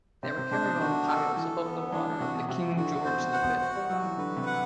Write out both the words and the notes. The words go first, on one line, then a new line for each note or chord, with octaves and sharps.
They are carried on piles above the water of the King George V Dock.
C3 C5
C3
C3 D4
B2
D3 F#4
A4
E3 A4
B3
E3 D4
C3 F#4
B2
C3 F#4
E3
D3 F#4
B2 C5
B2
C3
F#5
B2
F#4
G3
F#3 F#4
E3
D3 B4
C3
F#5